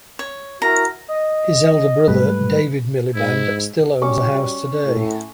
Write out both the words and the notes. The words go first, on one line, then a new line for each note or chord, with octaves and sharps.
His elder brother, David Miliband, still owns the house today.
C#5
E4 F#4 A#4 A#5
D#5
G#2 G3 A3 B4
G#2 E4
G3 C#4 F#4 G4 C#6 D6
A2